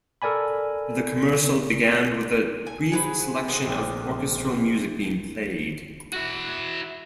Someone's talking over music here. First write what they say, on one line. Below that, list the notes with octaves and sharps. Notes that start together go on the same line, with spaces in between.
The commercial began with a brief selection of orchestral music being played.
A4 A#4 D5 G#5 B5
G#5
F#3 G#3 B4 C5 G#5
G#3 B3 C4 D#4
A#1 C4 D6
E4 F#4